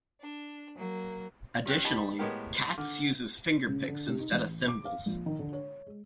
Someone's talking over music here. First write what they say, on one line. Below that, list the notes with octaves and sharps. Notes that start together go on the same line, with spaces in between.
Additionally, Katz uses fingerpicks instead of thimbles.
D4
F#3 A#3
G2 C#4 G5 F#6
D#4 G4 A5 B5
A2 G#3 B3 G4 A#4
D3 D6 F6
C#3
D3
C3
D#4
A1
D6
F5
A#1
D#3
D3
C#5
G#3